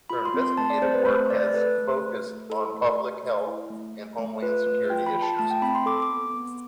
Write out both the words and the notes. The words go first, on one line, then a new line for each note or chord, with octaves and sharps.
Her investigative work has focused on public health and homeland security issues.
F4 B5
C6
C4
C6
A3 A5
D5
C4 C5
B4
A3 C5
A3 D5
A4 B4
A3
A3
A3
E4 A4
A3
A4
A3
E4
A3
A3
A3
F4 B4
A3 B4
F4 G5
B5
F4
A5
A3 A5
G5
C4 B5
C6
A4 D6
D6
B3
B3